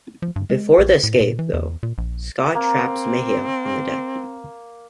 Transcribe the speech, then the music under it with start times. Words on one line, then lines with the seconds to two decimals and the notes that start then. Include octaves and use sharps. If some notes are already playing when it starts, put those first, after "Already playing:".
Before the escape, though, Scott traps Mahia on deck.
0.22 F3
0.36 G2
0.50 G#3
0.78 A#1
1.03 A2
1.21 A#2
1.39 E3
1.53 E2
1.83 A#2
1.98 A#1
2.55 A#3 C4